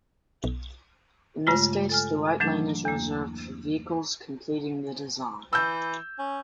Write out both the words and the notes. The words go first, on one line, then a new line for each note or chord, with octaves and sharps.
In this case, the right lane is reserved for vehicles completing the design.
B1
G2 C#3 G#3 A3 F4
A4 G#5 F6
E3 F#3 A3 D4
E2 A#3
E3 E6 G6
C#4